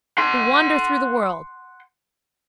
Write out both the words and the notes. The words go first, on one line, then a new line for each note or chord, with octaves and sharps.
Who wander through the world.
F#5 C6